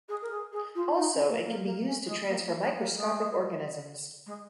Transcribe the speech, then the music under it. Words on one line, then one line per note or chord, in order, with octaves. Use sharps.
Also it can be used to transfer microscopic organisms.
G#4
A#4
G#4
G#4
F4
D#4
C#4
A#3
A#3
A#3
C#4
G#3
A#3
A#3
G#3
A#3
G#3
G#3